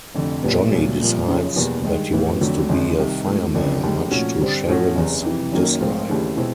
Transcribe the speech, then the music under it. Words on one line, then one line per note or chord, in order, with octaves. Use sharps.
Johnny decides that he wants to be a fireman, much to Sharon's dislike.
F1 F2 D3
B1 A#2 G3 B3
C2 A#2 F#3
C2 A#2 F3 A#3
F#1 F#2 C#3 F3
E2 B2 G3 A#3
G2 D#3 G#3
A2 E3 G3 B3
F2 D3 F#3 A3
G#1 F#2 D3 F3 G#3
C2 C3 D#3
G#2 F3 A3
F#1 F2 D3 F3
F1 D#2 D#3 G#3
A#2 F3 A3 C#4 F#4
G2 D3 G3 C4
A2 F3 A3 C#4 F#4
F#1 E2 C3
F2 C3 E3
F#1 F#2 D#3 F#3 A#3
G#2 F3 A3 C4 F4
D#2 C#3 E3 A3 D4
B2 G#3 C4 E4